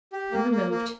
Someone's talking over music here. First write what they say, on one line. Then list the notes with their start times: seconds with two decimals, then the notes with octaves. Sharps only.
And we moved.
0.13 G4
0.32 A#3
0.51 A#3
0.70 A#3